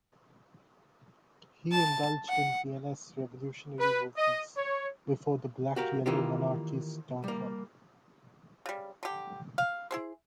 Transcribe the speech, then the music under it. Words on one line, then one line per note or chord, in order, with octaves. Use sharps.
He indulged in Viennese revolutionary movements before the black-yellow monarchy's downfall.
A5
F#5
B4
D#5
C#5
F#4 G4 A#4 F5
D#3 E3 A#3 D#4 F4 G4
G3 A#3
C#3 G3
D3 G4
F5
E4 G#4 C5